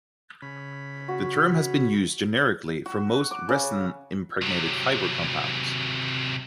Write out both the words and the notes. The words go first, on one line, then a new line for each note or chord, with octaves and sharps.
The term has been used generically for most resin impregnated fibre compounds.
C#3 B5
F#4
F#4
D6
C#3
C3 F#3